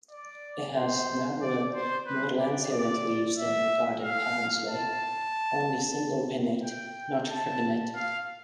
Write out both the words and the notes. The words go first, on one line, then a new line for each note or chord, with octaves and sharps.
It has narrower, more lanceolate leaves than garden parsley, only single pinnate, not tripinnate.
D5
C5
D5
C5
B4
D5
D5
E5
F5
A5
G5
A5
F5